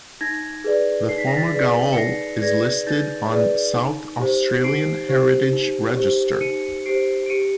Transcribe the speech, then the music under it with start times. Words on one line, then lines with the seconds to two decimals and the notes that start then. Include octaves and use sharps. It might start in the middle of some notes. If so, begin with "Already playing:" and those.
The former gaol is listed on South Australian Heritage Register.
0.21 D#4 G#6 A#6
0.64 G#4 B4 D5
1.09 D#4 C7
1.18 B6
1.27 A#6
1.36 A6 B6
1.54 G#4 B4 D5
1.93 C#7
1.97 D#4 A#6 C7
2.42 G#4 B4 D5 G#6 A#6
2.87 D#4 G6 A6
3.31 G#4 B4 D5
3.75 D#4
4.19 G4 C5
4.64 D#4 C7 D7
5.09 G4 C5
5.53 D#4
5.97 G4 C5
6.41 D#4 C#7 D#7
6.86 G4 C5 C7 D7
7.26 D7
7.30 G4 C#7 D#7